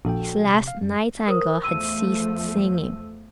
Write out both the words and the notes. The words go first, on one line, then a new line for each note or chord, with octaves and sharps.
His last nightingale had ceased singing.
A#1 F#4 A4 G5
C3
F5
F#2 G3
A#4 C5 D#6
E2 F3 A3 E6 D#7